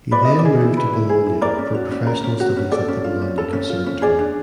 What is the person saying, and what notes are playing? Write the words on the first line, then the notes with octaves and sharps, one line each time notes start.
He then moved to Bologna for professional studies at the Bologna Conservatory.
B4 D5
E4 D#5
D5
G#4
E4
B4
E4
G#4
E4
A#4 D5
C#4
F#4
C#4
A#4
C#4
F#4
C#4
A4 D5
C#4
F4
C#4
A4
C#4
F4
C#4
G#4 D5
D4